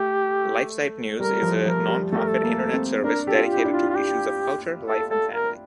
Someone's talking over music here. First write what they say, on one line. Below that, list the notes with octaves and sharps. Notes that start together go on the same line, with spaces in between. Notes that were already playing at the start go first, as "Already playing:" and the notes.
LifeSiteNews is a non-profit Internet service dedicated to issues of culture, life, and family.
Already playing: A3 G4
G3 A#4
F3
F3 A#4
G3
A3 A4
A#4
A4
A#3
C4
D4 A#4
G4 A4
F4
G4
E4
D4
F4
F4
G4
A4
A4
A#4